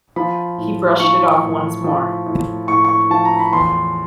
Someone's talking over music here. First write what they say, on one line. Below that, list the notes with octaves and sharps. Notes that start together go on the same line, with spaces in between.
He brushed it off once more.
F3 B5
A2
F3 C#6
A2
F3
A2
A2 C#6
C#6
F3 A5
A#5
B5
E2 C6